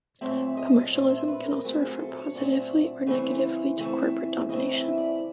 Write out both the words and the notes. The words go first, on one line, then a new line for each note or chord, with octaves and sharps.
Commercialism can also refer, positively or negatively, to corporate domination.
A#2 F#3 A3 C4 E5
D#5
A#2 F#3 A3 C4 D5
E5
B4
A#4
A#2 F#3 A3 C4
G#4
A4
C#5
A#2 F#3 A3 C4 D5
C#3 E3 A3 C4
C#3 E3 A3 C4
C#3 E3 A3 C4 D#5
E5
D5